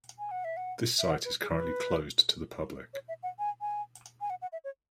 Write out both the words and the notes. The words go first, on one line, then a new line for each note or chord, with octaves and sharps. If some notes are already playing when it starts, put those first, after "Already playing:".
This site is currently closed to the public.
G#5
F#5
E5
F#5
E5
F#5
B4
G#4
B4
C#5
E5
F#5
G#5
G#5
G#5
F#5
F#5
E5
C#5